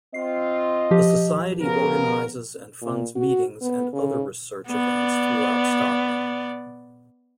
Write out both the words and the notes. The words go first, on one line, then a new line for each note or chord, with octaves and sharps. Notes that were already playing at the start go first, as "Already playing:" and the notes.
The Society organises and funds meetings and other research events throughout Scotland.
C4 F4 D#5 C7
F3 G4
C#3 B3 A#4
A#2
F#4
B3
C#3
B3 D5